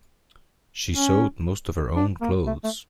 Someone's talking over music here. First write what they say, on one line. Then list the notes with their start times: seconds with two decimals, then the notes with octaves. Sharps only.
She sewed most of her own clothes.
0.94 C#4
1.96 D4
2.21 A#3
2.47 A3
2.64 A3